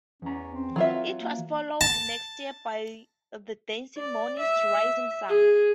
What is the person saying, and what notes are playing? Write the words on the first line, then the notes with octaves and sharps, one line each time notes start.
It was followed the next year by the Des Moines "Rising Son".
E2 C#4 A#5
C4
E3 F#3 F4 E5
A#3
A5
D5
E5
G#4